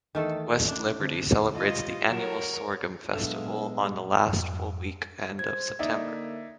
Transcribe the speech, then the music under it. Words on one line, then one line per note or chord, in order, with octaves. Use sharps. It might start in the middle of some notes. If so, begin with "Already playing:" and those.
West Liberty celebrates the annual Sorghum Festival on the last full weekend of September.
E2 D#3 A3 A4
F#2 D4
D3 A3 C4
G3 F4 D#5
F#3 A#4 C#5 E7
A#2 F#3 G#3 B3 D4 A4 E5 F5
F2 G#2 F#3
C5 G#6
D3 A#3 D#4 D5 E5